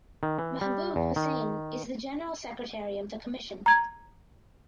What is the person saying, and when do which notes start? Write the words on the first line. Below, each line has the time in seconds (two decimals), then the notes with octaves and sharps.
Mahbub Hossain is the General Secretary of the commission.
0.23 D#3
0.39 E3
0.61 G3
0.96 E2
1.16 D#3
3.66 A#5 G#6